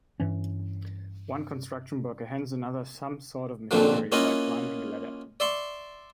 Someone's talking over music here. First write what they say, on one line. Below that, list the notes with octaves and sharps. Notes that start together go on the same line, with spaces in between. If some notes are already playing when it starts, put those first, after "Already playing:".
One construction worker hands another some sort of machinery while climbing a ladder.
G2 E3 C#4
A#1 F2 A#2 D3 F3 F#3
A#3 C#4 E4 F4 D#5 F#5
D5 E5 C6 C#6